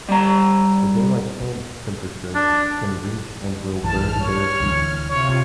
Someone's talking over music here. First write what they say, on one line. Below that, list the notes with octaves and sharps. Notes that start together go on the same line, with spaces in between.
The daylight sand temperature can reach and will burn bare feet.
G3 A#5
D4
A#1 F#2 E3 A5 F6
C#5
D2 E3
C3 F4 C#5